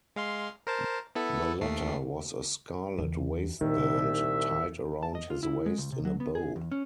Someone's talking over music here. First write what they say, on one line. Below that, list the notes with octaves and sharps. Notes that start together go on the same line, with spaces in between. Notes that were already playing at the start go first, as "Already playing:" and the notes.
The latter was a scarlet waist-band tied around his waist in a bow.
G#3 F5 C6
A#4 C5 A5
B3 E4 A4
D#2 A3 C7
E2
C2 A#2 D#3 E5
A5
D#5
F4
E4
G#3
C#2
C3
F#3
B3
G#4
E2
C#4